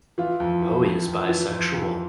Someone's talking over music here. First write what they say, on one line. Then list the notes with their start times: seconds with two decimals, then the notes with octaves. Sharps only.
Hoey is bisexual.
0.18 E3 F4
0.40 F2
0.62 E3
0.84 F2
1.07 F2
1.29 E3
1.51 F2
1.74 F2